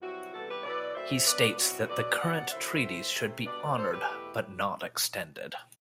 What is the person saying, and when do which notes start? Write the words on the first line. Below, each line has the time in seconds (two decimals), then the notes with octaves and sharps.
He states that current treaties should be honored but not extended.
0.01 G2 F#3 C4 E4 F#4
0.33 C3 E3 G3 B3 F#4 A4
0.48 G4 B4
0.64 B2 F#3 B3 E4 B4 D5
0.95 F#2 F#3 A3 C4 C5 E5
1.26 F#2 F#3 B3 D4 B4 D5
1.58 B2 F#3 C4 E4 F#4
1.88 B2 F#3 B3 D4 B4 D5
2.20 C3 F#3 B3 D4 D5 F#5
2.51 F#2 D3 F#3 A3 E4 C5 E5
2.83 A2 E3 A3
3.14 C3 E3 A3 C4
3.45 B2 G3 B3 D4 B4 D5
3.77 F#2 D3 F#3 A4 C5
3.92 G4 B4
4.07 E2 B2 A3 E4